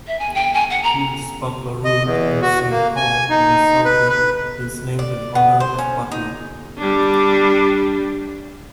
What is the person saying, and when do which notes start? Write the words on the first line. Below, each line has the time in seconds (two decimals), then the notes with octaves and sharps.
Pierce Butler Route in Saint Paul, Minnesota, is named in honor of Butler.
0.07 E5
0.19 G#5
0.34 G5
0.53 G#5
0.69 F#5
0.83 A#5
1.85 D#5
2.04 E2
2.42 F#4
2.71 A#3
2.96 G#5
3.30 D#4
3.85 B4
4.09 B4
4.99 D5
5.35 B3
5.60 C5
5.78 C#4
6.12 D#4
6.78 G3 D4